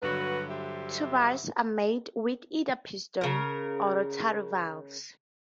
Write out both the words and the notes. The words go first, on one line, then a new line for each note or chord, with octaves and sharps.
Tubas are made with either piston or rotary valves.
G2 D3 F#3 F#4 B4
G4 C5 E5
C#3 A#4